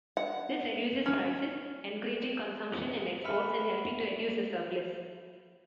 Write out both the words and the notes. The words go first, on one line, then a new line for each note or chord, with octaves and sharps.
This reduces prices, encouraging consumption and exports and helping to reduce the surplus.
F#5
C#4
E5 F#5 B5 C6 F6